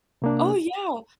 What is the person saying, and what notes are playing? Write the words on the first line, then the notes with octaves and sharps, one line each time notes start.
Oh, yeah.
C3 A#3 D4